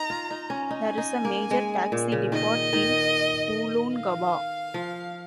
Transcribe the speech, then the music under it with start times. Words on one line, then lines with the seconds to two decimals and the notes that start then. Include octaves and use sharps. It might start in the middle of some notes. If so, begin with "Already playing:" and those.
There is a major taxi depot in Woolloongabba.
Already playing: D#4 A#5
0.10 F4
0.31 D#4
0.50 C#4
0.70 D#4 G#5
0.98 D#4
1.25 A#3
1.51 G#3
1.92 A#2
2.12 C#3
2.32 D#3 D#5
2.73 D#3
3.93 F5
4.74 F3